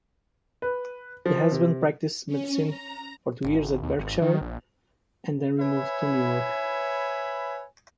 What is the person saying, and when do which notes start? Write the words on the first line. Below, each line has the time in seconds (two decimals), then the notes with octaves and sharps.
The husband practiced medicine for two years at Berkshire and then removed to Newark.
0.62 B4
1.26 F3
1.51 C3
2.26 C#4
2.66 A#5
3.44 G#1
3.83 D#2
3.98 G#1
4.22 D#3
4.41 A#1
5.60 B4 C#5 E5 G#5 B5